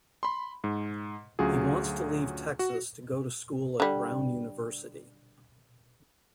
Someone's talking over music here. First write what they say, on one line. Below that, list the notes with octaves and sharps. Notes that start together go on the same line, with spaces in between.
He wants to leave Texas to go to school at Brown University.
B5 C6
G#2
D2 F#3 C#4 F4 G#4
F#4
D3 G3